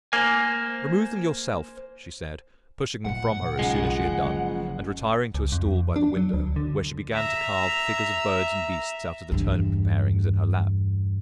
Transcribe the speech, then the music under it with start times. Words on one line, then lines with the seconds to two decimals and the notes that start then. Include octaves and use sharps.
'Remove them yourself,' she said, pushing them from her as soon as she had done; and retiring to a stool by the window, where she began to carve figures of birds and beasts out of the turnip-parings in her lap.
0.13 A#3 C5 G#5
3.05 A#2 F3 F#5
3.59 B1 C#3 F3 G#3
4.07 F#1
5.35 C#2
5.52 F2
5.96 D4
6.17 F#3
6.34 D2
6.56 D3
7.13 E5 A#5
9.32 E2 G2